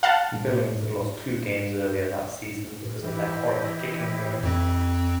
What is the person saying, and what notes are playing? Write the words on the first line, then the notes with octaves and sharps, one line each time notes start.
Billings had lost two games earlier that season because of their horrid kicking game.
F5 F#5 A5 F6
E3 E4 G4 D#5
F2 C4